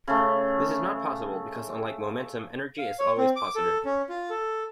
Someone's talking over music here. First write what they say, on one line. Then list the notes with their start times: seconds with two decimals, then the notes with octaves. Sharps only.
This is not possible, because, unlike momentum, energy is always positive.
0.07 C#3 A3
2.79 F5
2.99 C#5
3.18 C4
3.36 D6
3.56 A4
3.85 C#4
4.09 F4
4.30 A4